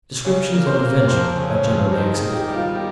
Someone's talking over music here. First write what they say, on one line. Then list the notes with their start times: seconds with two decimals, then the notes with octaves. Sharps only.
Descriptions of adventure are generally acceptable.
0.25 C#3 C#5
0.53 A#3
0.66 C5
0.80 A#3
1.08 F2 C5
1.36 C#3
1.50 C#5
1.63 F2
1.91 D#3 C5
2.13 G#4
2.20 D#3
2.33 G4
2.48 G3
2.55 F4
2.75 D#3 G4